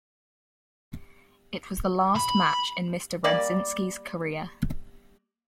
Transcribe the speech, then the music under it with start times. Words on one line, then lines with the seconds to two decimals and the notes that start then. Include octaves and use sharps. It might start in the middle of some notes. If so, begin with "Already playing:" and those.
It was the last match in Mr Redzinski's career.
2.16 B5
3.24 G3 A#3 D5